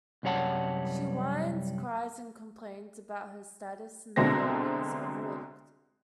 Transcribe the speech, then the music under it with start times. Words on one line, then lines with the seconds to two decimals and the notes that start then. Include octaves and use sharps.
She whines, cries and complains about her status in the family as overlooked.
0.23 C2 F#2 G3 C#5 F#5 A5
4.16 C2 B2 D3 G#3 C4 A#6